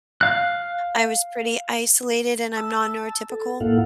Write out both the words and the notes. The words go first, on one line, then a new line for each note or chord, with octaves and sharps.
I was pretty isolated, and I'm non-neurotypical.
F5 F#6
A5 E6
A4
A2 A#3 E4 A4 F5 F#5